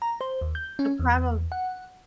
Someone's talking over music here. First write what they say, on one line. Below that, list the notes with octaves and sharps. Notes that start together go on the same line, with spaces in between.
The problem
A#5
C5
D#2
G6
C#4
E2
F#5